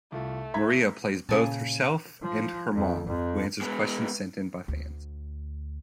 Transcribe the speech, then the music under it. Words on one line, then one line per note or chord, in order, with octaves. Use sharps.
Maria plays both herself and her mom, who answers questions sent in by fans.
C2 A3 F4
E5 A#5 G#6 B6
A#2 C#3 G#5 A5
F3
F2
F2
G#3 B3
D2